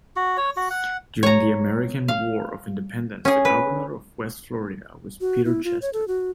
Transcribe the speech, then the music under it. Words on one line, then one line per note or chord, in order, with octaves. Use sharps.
During the American War of Independence the Governor of West Florida was Peter Chester.
F#4
C#5
F#4
F#5
C#5 A#5
F5
C#4 G#4
B4
F#4
E4
F4
C#5
A4
F#4